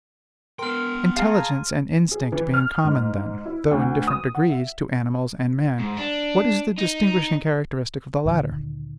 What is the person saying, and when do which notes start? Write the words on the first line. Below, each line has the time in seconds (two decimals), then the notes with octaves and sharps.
Intelligence and instinct being common, then, though in different degrees, to animals and man, what is the distinguishing characteristic of the latter?
0.59 B3 A#4 G5 C6 F6
1.17 G#4 F5 A5 A#5
2.11 G#4
2.32 E3
2.54 F6
2.84 G#2
3.45 E4
3.71 D2
4.07 D#6
4.35 F#5
4.50 E5
5.80 G#2
5.97 D4
6.78 D#4
8.25 D2 A#2 D3 D#3